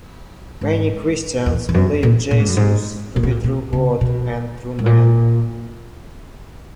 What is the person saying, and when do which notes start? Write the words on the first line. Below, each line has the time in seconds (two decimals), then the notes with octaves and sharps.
Many Christians believe Jesus to be true God and true man.
0.61 G#2
1.46 E2
1.69 E2
1.74 F#2
2.03 A#2
2.31 A#2
2.40 G#2
2.48 F#2
2.57 G#2
3.16 A#2
3.23 B2
3.31 A#2
3.44 B2
3.73 C#3
4.01 B2
4.79 G#2
4.86 A#2